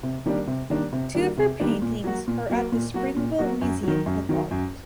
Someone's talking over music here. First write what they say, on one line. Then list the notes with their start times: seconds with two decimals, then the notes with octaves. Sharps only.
Two of her paintings are at the Springville Museum of Art.
0.03 C3
0.26 D#3 G3 A#3 D4
0.47 C3
0.70 D#3 G3 A#3 D4
0.93 C3
1.15 D#3 G3 A#3 D4
1.37 C3
1.60 D#3 G3 A#3 D4
1.82 A#2
2.04 F#3 A#3 F#4
2.28 A#2
2.50 F#3 A#3 F#4
2.72 A#2
2.94 F#3 A#3 F#4
3.16 A#2
3.39 F#3 A#3 F#4
3.61 F#2
3.83 D#3 F#3
4.06 F#2
4.29 D#3 F#3
4.51 F#2